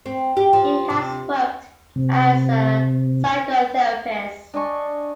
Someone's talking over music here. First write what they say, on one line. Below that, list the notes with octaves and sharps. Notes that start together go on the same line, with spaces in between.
He has worked as a psychotherapist.
C4
G4
F3
C3
C3
D4 D#5 G#5 C#6